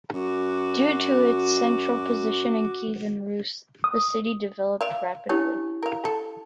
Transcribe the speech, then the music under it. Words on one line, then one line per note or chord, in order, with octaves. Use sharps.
Due to its central position in Kievan Rus', the city developed rapidly.
F#2 F#4 D6
D#6
D5 E5 F5
C#4 D4 E4 G4 C#5
A#4 F5
A4